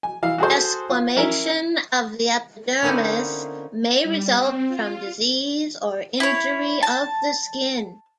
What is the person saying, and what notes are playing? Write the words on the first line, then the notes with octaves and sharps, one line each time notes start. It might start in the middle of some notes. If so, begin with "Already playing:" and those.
Desquamation of the epidermis may result from disease or injury of the skin.
G#5
E3 F5
F#4 G#4 A4 C5
F4
C#4 E4 A#4 G#5
D3 A#3 C4 C#4 D#4 E4
G3
C4
F4
E4 C#5
A5